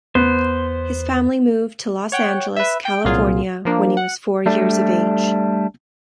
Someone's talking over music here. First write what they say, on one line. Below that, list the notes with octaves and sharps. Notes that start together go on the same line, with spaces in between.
His family moved to Los Angeles, California when he was four years of age.
E2 B3 C5
C#5 F#5 G5
B4 E5
G5
C2 A#2 F#3 F4 G#4
F3 A#3 D4
F#5
G3 A3 D4